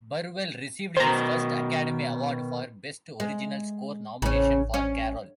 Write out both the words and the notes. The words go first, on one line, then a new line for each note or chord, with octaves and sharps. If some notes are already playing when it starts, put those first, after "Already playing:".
Burwell received his first Academy Award for Best Original Score nomination for "Carol".
B2 D#3 C5 A#5
G#3
A1 C#3 C#4
C#4